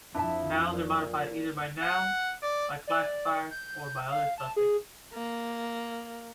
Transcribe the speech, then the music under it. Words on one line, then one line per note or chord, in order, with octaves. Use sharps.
Nouns are modified either by nouns, by classifiers, or by other suffixes.
F2 F3 D4 E4 E5 A5
A#2
F#5
D5
D5
G6
F5
A5
G#4
A#3